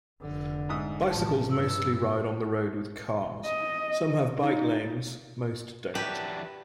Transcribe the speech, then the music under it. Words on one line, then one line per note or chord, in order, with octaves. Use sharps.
Bicycles mostly ride on the road with cars; some have bike lanes, most don't.
F1 D3
G#2 E5 D#6
A1 F3 A5
G2 E6
D#5
D#4
E3 F#3 D4 G4 B4